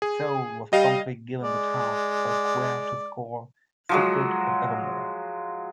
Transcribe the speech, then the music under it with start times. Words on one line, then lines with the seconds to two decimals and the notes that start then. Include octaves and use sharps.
Soule was promptly given the task by Square to score "Secret of Evermore".
0.02 G#4
0.73 G3 D#5 F5
1.42 G#3 D5
3.89 F3 F#3 G#3